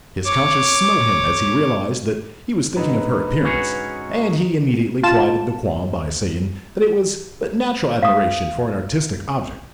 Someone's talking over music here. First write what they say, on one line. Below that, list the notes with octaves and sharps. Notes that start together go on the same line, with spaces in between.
His conscience smote him as he realized that he was thinking of her appearance, and he immediately quieted the qualm by saying that it was but natural admiration for an artistic object.
C#5 D6
G#2 D3 D#4 B4
C#4 F#4 G#4
F4 A5 E7
F5 D#6